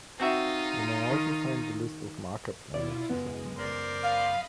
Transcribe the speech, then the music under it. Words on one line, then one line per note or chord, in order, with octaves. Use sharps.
You may also find the List of markup languages of interest.
C4 D#4 F4 F#4 E5
D#3
B2 E4 F4 D5
C#2 F#2 G#3 B3
A#4 C5 D5
D#5 F5 B5